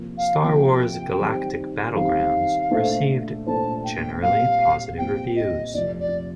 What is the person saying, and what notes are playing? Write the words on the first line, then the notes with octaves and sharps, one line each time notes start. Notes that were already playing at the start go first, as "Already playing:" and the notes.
"Star Wars: Galactic Battlegrounds" received generally positive reviews.
Already playing: C3 F3 A#3
F5
C3 F3 A#3 G5
D#3 G3 C4 D#4
D#3 G3 C4 D#4 F5
A#2 A3 D4 A4 C5
A#2 A3 D4 A4 C5 A5
G5
A#2 G3 C4 F5
A#2 G3 C4 G5
D#5
F2 C3 F3 A3 D5
D5